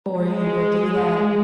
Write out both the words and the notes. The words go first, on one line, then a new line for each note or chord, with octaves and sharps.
for you to do that,
G#3